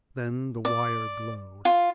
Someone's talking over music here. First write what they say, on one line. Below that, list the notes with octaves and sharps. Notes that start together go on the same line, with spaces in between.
Then the wire glowed.
D5
F4